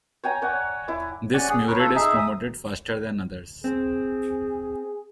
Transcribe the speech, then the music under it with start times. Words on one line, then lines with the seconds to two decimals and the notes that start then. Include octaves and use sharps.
This Murid is promoted faster than others.
0.23 C#5 G5 G#5 A#5
0.42 C#5 D5 F#5
0.88 E4 D6
1.34 C#4 D5 F#5 G#5
1.49 G#4
1.67 A#4 B4 C#5
1.79 F4 A4
1.95 D#4 G#4 E5
2.18 D#6
3.64 C4 G#4